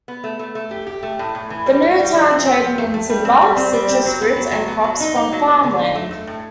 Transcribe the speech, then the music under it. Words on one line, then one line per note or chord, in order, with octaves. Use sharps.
The new town traded in timber, citrus fruits and crops from farmland.
B3
A3
A3
A3
G4
G4
A3
A2
A2
E3
G3
G3
G3
F3
C4
C4
F3
A3
A3
G3
C4
G3
C4
G3
C4
F#3
B3
F#3
F#3
B3
F#3
D#4
D#4
F#3
B3
D3
D#4
A3
A3
A2